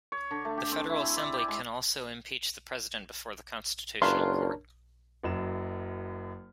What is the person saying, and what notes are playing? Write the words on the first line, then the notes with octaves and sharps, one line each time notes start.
The Federal Assembly can also impeach the president before the Constitutional Court.
C#5
D3
A3
G4
C4
E4
G#5
D5
G4
G#3
F#1 D4 F4 A#4 B4 C#5 C6
F#1 F#2 E7